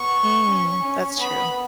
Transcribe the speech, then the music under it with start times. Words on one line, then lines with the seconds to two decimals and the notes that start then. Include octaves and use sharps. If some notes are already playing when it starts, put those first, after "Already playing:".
Mm, that's true.
Already playing: B3 C#6
0.46 C#4
0.82 C#4
1.19 B3 B5